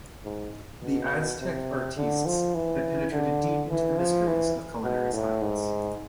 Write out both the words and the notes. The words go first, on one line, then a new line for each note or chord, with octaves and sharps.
The Aztec artistes had penetrated deep into the mysteries of culinary science.
G#2
B2
C3
D3
F3
E3
D3
E3
F3
E3
B2
A2
G#2